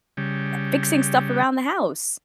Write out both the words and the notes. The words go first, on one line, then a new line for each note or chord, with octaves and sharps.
e fixing stuff around the house
C#3 G3